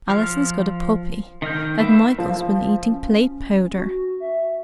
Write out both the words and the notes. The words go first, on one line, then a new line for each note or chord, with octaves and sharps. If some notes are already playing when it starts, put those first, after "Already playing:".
Alison's got a puppy, and Michael's been eating plate-powder.
F3 F6
D#3 D#5 F6 G6
A#3 B4 E5
F3
C#4
F#4
E5